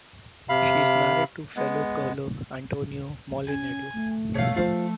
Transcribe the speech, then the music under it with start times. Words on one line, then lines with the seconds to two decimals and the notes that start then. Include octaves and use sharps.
She is married to fellow curler Antonio Mollinedo.
0.49 C3 F5 B5
1.57 G#3 B3
3.48 C#4 G#5
3.93 A3
4.35 B2 A3 C#5 F5
4.56 F3 F4 C5 F5